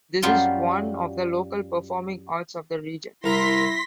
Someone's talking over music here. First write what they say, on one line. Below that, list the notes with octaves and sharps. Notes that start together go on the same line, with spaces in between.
This is one of the local performing arts of the region.
F#2 F#3 G3 F4 C6
C2 E4 A#4 A#5 C6 A#6 B6